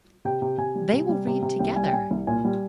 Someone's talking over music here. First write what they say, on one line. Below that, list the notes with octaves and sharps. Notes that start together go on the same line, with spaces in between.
They will read together.
C3 G5
C3
C3 G#5
G3
C3
G3
C3
C3
C2 G5
G3 G#5
G5
G3 G#5
C2
A#2 G#5
G3